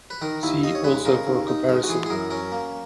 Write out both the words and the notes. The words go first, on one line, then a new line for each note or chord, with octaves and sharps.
See also for a comparison.
B4
D#3 A#4
D#2 E4
D#2 D#5
C#5
G#3 B4
C#3 A#4
D#2
D#4
G#3
F#4
E3 G#4
G#4
F#2 A#4
C#4 A#4
A#3